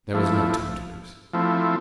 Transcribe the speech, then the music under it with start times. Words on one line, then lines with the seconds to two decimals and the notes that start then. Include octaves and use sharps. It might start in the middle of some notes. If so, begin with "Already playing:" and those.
There was no time to lose.
0.14 F3 A3 E4
1.33 F3 A3 C4 E4